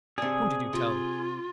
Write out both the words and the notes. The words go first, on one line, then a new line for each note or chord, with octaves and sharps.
Whom did you tell?
C3 D4 G#4
C3 F4